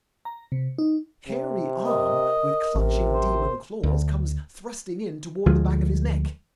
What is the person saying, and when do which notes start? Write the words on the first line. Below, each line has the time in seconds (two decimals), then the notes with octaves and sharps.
A hairy arm with clutching demon claws comes thrusting in toward the back of his neck.
0.25 A#5
0.52 C3
0.78 D#4
1.28 C3
1.86 A#4 D#5
2.75 A1 C3
3.13 C5
3.83 D2
5.46 D2 F3 G#3